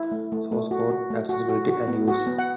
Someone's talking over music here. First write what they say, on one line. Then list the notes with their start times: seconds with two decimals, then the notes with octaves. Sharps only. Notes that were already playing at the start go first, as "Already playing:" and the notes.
Source code accessibility and use.
Already playing: E4
0.12 A3
0.32 A3
0.52 A3
0.71 F#4
0.90 F#4
1.10 A3
1.29 F#4
1.49 F#4
1.69 F#4
1.88 B3
2.08 F#4
2.27 B3
2.39 F#5